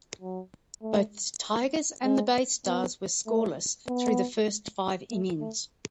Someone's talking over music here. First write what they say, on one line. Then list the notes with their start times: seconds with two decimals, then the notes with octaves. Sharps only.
Both the Tigers and the Baystars were scoreless through the first five innings.
0.21 F#3
0.82 A3
2.04 G#3
2.66 B3
3.27 A3
3.88 B3
5.10 A3
5.40 A3